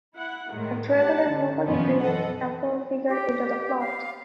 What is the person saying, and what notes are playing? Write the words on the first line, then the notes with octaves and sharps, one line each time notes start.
A dragon and locally brewed alcohol figure into the plot.
E4 F#5
A2 D#3 G#3
G4 F#5 A5
D3
F#2 B2 E3 F3 B3 C#4
A4 D#5 F#5
G4
F5